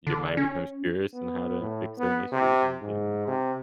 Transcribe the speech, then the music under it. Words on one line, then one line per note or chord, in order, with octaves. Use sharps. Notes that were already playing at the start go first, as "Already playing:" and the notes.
your mind becomes curious on how to fix certain issues and then
D3
C#4
B3
A2
B3
C3
G#2
C3